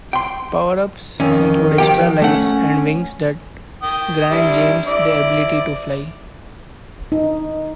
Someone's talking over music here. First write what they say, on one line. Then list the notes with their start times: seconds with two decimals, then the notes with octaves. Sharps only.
Power-ups include extra lives and wings that grant James the ability to fly.
0.13 G5 C6
1.20 F2 D#3 C#4
1.78 F3 G4 G5
2.22 A3 C#4 F#5
3.83 G5 D#6
4.31 G3 D4 E4
4.87 E4 D5
7.12 D#4